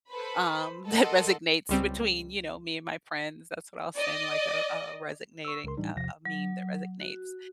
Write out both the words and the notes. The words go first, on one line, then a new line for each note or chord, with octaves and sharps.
um, that resonates between, you know, me and my friends, that's what I'll send, like, a a resonating a a meme that resonates.
A4 B4 C5 B5
A4 A#4 D#5 F#5 A5 C6
C#2 G3 C4
D5 D#5
C#6 E6
C#2 C#3 A#4 C6
A2 E3 G3 D4 D#4
A1 E2 C3 F3 A#6
F#3
F#4